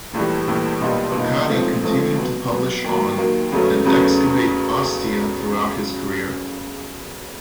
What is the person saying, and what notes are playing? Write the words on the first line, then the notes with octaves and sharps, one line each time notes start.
Becatti continued to publish on and excavate Ostia throughout his career.
A#1 A2 E3 G3
A#1 A2 E3 G3
B1 A#2 G3 B3 D#4
B1 A#2 G3 B3 D#4
A1 G#2 F3 A3 C4
A1 G#2 F3 A3 C4
B2 F#3 B3
B2 F#3 B3
D#2 D#3 F#3 A#3
D#2 D#3 F#3 A#3
E2 C#3 F#3 A3 C#4
E2 C#3 F#3 A3 C#4